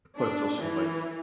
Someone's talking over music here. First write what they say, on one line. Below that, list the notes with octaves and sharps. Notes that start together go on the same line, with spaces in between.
until she, like
D4
E3